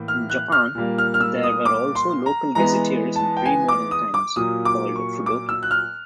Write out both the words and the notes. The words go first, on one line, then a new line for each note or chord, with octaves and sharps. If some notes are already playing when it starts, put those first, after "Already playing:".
In Japan, there were also local gazetteers in pre-modern times, called "fudoki".
Already playing: A2 E3 A#3
F6
F#6
F6
A#2 G3 A#3
F6
F6
E6
D#6
D6
C6
A#5
E3 G#3 B3 A#5
A5
G5
G#5
D6
D#6
D6
A#2 F#3 A#3 D#6
D6
C#6
D6
E6
F#6
F6